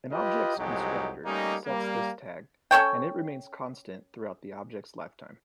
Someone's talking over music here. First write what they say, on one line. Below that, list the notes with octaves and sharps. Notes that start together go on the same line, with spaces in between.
An object's constructor sets this tag, and it remains constant throughout the object's lifetime.
F4 G4 B4 D#5
C2 F2 F#3 G#3 D#4 G4
G3 A3 A#3 C#4 D#4
G3 A#3
C#4 A4 C#5 G5